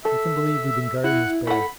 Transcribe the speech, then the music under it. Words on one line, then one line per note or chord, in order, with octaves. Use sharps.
"Make them believe we've been guarding this bear!"
A4 E5
E4 F#5
A4 F#5 B5